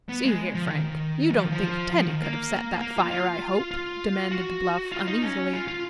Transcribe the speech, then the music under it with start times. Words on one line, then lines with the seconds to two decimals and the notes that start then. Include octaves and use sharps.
"See here, Frank, you don't think Teddy could have set that fire, I hope?" demanded Bluff, uneasily.
0.09 B3
0.24 G#3
0.55 F3
0.65 C#3
0.70 D#3
1.30 F#3
1.37 F3
1.44 D#3
1.51 F3
1.91 F3
2.05 D#3
2.21 A#3
2.80 A#3
2.96 F4
3.11 F4
3.71 F4
4.32 F#4
4.92 F4
5.08 D#4
5.22 C#4
5.53 F4
5.68 F4